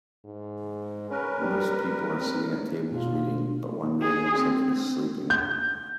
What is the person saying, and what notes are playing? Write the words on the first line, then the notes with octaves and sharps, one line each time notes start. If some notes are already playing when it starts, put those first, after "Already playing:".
Most people are sitting at tables reading but one man looks like he 's sleeping.
G#2
C#4 A#4 B4
G3
G3
C4
B2 F4
G#4
C4
G6